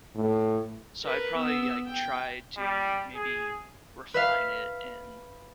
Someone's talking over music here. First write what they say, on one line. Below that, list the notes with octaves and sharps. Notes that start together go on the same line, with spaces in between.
so I'd probably, like, try to maybe refine it and
A2
A#4 B4
B3 E6
G5
G3
G#4
B4 E5 F5